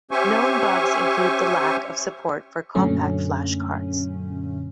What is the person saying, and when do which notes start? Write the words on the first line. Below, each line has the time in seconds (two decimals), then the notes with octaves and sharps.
Known bugs include the lack of support for CompactFlash cards.
0.11 C#4 G4 C5 E5 G#5 C#6
2.75 F#2 A#2 D3 F#3 A3 C#4